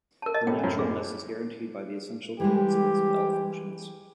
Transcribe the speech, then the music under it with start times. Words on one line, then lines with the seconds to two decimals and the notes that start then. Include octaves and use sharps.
The "naturalness" is guaranteed by the essential coincidence of L-functions.
0.22 A#4 A5
0.34 D#5 A5
0.47 A2 G5
0.63 F#2 A2
0.79 G#4
2.40 E3 G3 G#3 G4